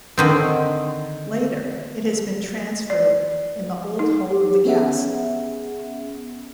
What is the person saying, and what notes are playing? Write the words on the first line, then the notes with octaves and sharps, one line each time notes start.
Later, it has been transferred in the old home of the castle.
D3 D#3 C4
D5
D#4
G4
B3 C#4 G#4 E5 F#5